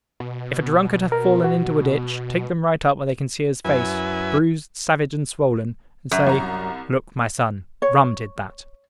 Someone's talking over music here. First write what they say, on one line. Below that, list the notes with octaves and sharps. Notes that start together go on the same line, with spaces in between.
If a drunkard hath fallen into a ditch, take them right up where they can see his face, bruised, savage and swollen, and say, "Look, my son: Rum did that!"
B2
A#4
F#4
F#2 E4 B4 G#5
F#2
C2 A#5
C#5